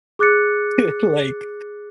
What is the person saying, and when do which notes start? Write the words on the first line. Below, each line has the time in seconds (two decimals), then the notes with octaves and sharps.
It's like,
0.19 G#4 D6 F#6 A6 C#7